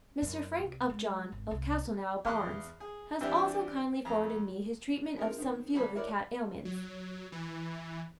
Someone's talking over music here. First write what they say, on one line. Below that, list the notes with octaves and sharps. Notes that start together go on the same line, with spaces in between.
Mr. Frank Upjohn, of Castelnau, Barnes, has also kindly forwarded me his treatment of some few of the cat ailments.
F#2
C2
G#3
G#1
C2
E2 F5 C6 F#6
G#4
E3 G3 C4 D4 G4 E5
F2 A#5
F3 G#3 C4 D#4 A#4
D#3 C4
F#3 G3 F#4 A4
E4 F#4 A#4 C#5 D5
F#3
E3